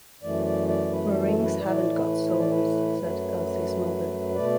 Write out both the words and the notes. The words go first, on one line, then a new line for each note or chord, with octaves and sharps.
"Meringues haven't got souls," said Elsie's mother.
F#2 E3 A3 D5
D5
D5
B4
A4
A4
B4
A2 E3 A3 D5
B4
B4
D5
B4
F#2 F#3 A3
B2 A3 D5